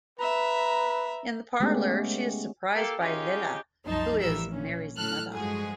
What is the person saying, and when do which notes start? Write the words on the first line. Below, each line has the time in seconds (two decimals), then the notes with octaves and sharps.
In the parlor she is surprised by Lila, who is Mary's mother.
0.19 B4 E5 A#5
1.60 G#3 A3 B3 C#4 G4
2.75 A#3 G4 A4
3.01 C#4 D#4 F4 G4 G#4
3.87 C2 F#2 F3 D#4 A5 C6
4.20 A1 E3 F3 G3 A#4 E6
4.51 A#2 C#4
4.96 A2 F#3 A4 F6 F#6
5.32 G2 F3 G#3 F#4 G#4